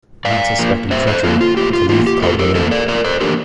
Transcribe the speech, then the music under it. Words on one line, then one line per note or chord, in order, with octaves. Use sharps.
Not suspecting treachery, Caliph called them in.
G2 D5 F5
F3 A#3
G2 C5 E5
A4 C5
F3 A#3 F4 A4
F4
A2 G4
F4
E3 A#3 F4
G4
A2 F4 A4
G4 A#4
E3 A#3 A4 C5
A#4 D5
F2 A#4 D5
A4 C5
E3 A#3 D4 G4 A#4